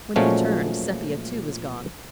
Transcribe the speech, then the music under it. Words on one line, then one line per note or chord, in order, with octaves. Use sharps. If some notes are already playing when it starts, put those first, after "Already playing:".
When he turned, Sepia too was gone.
A#2 F3 F#3 G#3 A3 C#4